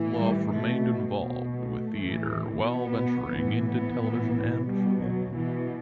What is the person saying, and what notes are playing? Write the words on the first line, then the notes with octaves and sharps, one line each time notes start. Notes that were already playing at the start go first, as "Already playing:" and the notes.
Olaf remained involved with theatre while venturing into television and film.
Already playing: A2 E3
G3
B2 A3
B2
A3
A2 E3
B2 B3
A2 E3
B3
A2 E3
B2 G3
F#3
B2 E3